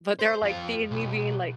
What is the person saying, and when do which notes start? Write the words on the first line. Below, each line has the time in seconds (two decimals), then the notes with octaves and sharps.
But they're like seeing me being like
0.19 C5
0.42 F2 F4
0.91 B1